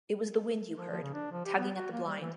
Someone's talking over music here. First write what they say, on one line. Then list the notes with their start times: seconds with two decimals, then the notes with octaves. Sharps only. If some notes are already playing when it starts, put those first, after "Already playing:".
It was the wind you heard, tugging at the blind.
0.78 F3
0.90 F3
1.02 C#3
1.14 D4
1.32 F3
1.45 G4
1.58 B3
1.77 F#4
1.92 A#3
2.06 G3
2.21 E3